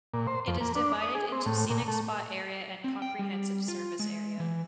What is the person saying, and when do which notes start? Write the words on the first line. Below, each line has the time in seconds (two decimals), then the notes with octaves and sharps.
It is divided into Scenic Spot Area and Comprehensive Service Area.
0.14 A#2
0.27 C5
0.47 F2
0.61 A#3
0.75 D4
1.01 D#6
1.15 G#4
1.32 C4
1.46 A2
1.70 A#2
1.88 A3
2.84 C4
3.02 G5
3.19 G3
3.68 F4
3.99 G#3
4.40 E3